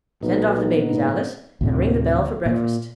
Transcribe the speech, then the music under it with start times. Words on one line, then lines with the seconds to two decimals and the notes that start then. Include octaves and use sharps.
"Send off the babies, Alice, and ring the bell for breakfast."
0.23 B1 A#2 B3 D#4
0.90 G#2
1.61 D2 A2 C3
2.46 A#2